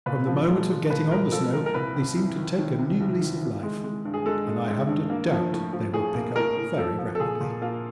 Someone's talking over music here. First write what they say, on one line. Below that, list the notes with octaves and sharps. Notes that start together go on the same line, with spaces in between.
From the moment of getting on the snow they seemed to take a new lease of life, and I haven't a doubt they will pick up very rapidly.
A#2 B4
F3
G#3
G#3
A#2 B4
G#3 A#4
F3 A4
A#2 A#4
A#4
C2 B4
C3
C2
D#3
D#3
C3
C2
D#3
E3
G#3
G#3
G2
G#4
G#3 A4
G#3
G#3
G2
A#3
F3
A2
F3
A2 G#4
A#3
A2 A#4
A2
F3 A4
F3
A4
A#2 G#4
A#2
A#3 F4